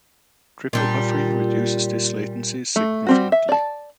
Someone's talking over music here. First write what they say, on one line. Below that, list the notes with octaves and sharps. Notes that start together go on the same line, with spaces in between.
Triple buffering reduces this latency significantly.
A#2 G3 D4
A3
G3 C4 F#4
E5
D5 A5